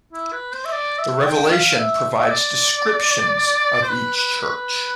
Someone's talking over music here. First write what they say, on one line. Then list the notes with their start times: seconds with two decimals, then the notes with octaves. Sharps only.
The Revelation provides descriptions of each Church.
0.13 E4
0.32 B4
0.53 C5
0.65 E5
0.72 D5
0.99 E5
1.26 G5
1.51 F5
1.79 E5
2.19 E5
2.30 D5
3.82 C5
3.89 B4
4.16 B4
4.42 B4